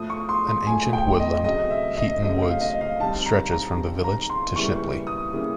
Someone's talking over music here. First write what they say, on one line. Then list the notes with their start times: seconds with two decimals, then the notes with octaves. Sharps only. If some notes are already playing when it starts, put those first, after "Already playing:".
An ancient woodland, Heaton Woods, stretches from the village to Shipley.
Already playing: A2 F3 A3 D#6
0.10 C#6
0.29 C6
0.49 C6
0.67 A2 F3 A3 G#5
0.93 G5
1.20 D#5
1.44 C#3 F#3 A3 C4 D#5
1.70 E5
1.97 D#5
2.22 C#3 F#3 A3 C4 D#5
2.43 F5
2.61 D#5
2.81 F5
3.00 D#3 G3 C4 A5
3.26 A#5
3.52 A#5
3.77 D#3 G3 C4
4.04 A#5
4.30 C6
4.56 C#3 E3 G3 A#3 C#6
5.07 D#6
5.33 C#3 E3 G3 A#3